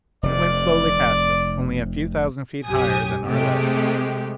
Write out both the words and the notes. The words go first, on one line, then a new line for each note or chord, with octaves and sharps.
It went slowly past us, only a few thousand feet higher than our level.
F1 C3 D5
B1 F#2 G4 G#5 D#6
C3 G#3 A3 G4